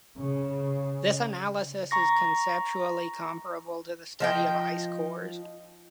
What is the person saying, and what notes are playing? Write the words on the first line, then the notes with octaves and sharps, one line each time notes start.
This analysis is conceptually comparable to the study of ice cores.
C#3
A#5 C#6 A#6
F3 D#4 G5